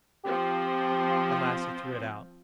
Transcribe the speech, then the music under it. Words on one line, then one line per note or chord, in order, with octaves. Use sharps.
At last he threw it out.
F3 C4 G4